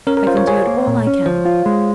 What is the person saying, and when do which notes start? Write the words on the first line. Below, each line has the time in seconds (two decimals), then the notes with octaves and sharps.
I've endured all I can.
0.07 C#4 A#4
0.17 A#4
0.27 F4 C5
0.37 C#5
0.48 G#4 C#5
0.67 A#3
0.87 A#2
1.07 C#4
1.26 F3 C5
1.45 F4
1.66 G#3